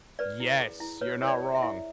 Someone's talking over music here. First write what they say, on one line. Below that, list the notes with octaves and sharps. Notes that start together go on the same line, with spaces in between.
Yes. You're not wrong.
B4 D5
E4
G#4
E4
B4 C#5
E4 C#5
D5
G#4
E5
E4